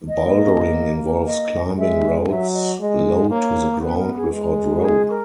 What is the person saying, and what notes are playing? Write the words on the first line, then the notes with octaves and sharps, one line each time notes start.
Bouldering involves climbing routes low to the ground without rope.
D#5
A#3
D#5
G#3 E5
F#3 E5
D#5
G#3 D#5
A#3 C#5
B3 B4
A#4
G#4
G#3
F#4
G#4
A#4